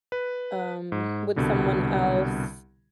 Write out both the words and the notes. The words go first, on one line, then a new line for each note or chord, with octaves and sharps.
um, with someone else,
B4
G#2
C2 B2 D3 G3